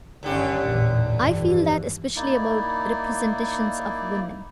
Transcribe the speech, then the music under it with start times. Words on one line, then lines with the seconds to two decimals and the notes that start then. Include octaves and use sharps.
I feel that especially about representations of women.
0.23 G1 D#2 D3 C#4 G4
0.65 A1 E2 A#2
1.10 F1 G2 E3
2.16 A#3 D#4 E4 D5